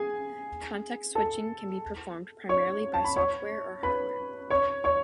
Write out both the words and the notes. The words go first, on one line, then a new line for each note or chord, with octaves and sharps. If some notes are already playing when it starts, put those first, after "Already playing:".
Context switching can be performed primarily by software or hardware.
Already playing: G#4 G#5
A4 A5
C#5 C#6
A5
B5
C#5 C#6
B4 B5
C#5 C#6
C#5 C#6